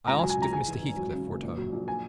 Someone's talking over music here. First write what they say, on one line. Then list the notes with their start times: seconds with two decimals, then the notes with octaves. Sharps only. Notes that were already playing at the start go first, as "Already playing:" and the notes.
I asked if Mr. Heathcliff were at home?
0.07 C#2 A#5
0.19 G#5
0.23 F#3
0.30 G#5
0.38 C#2 A#5
0.52 G#3 G#5
0.67 E3
0.83 G#1
0.97 F#3
1.13 C#3
1.27 F#1
1.43 A#1
1.57 F#3
1.72 A#1
1.88 G#5